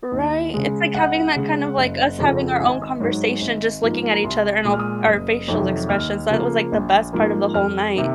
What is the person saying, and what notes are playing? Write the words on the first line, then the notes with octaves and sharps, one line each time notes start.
Right, it's, like, having that kind of like, us having our own conversation just looking at each other and all of our facial expressions, that was, like, the best part of the whole night
D#2
C#3 G#3
C#2 F#5
C#3 G#3
F#1
F2 C#3 F3
G#1 G#5
G#2 F#3
G#1
G#2 F3 A#3
A#5
C2 C6
A#2 G#3
F6
D#6
F#1
F2 C3 D#3 F#3
D#2 F6
C#3 F3 A#3
A#1
G#2 F3 A#3
F2 F6
C3 D#3 A#3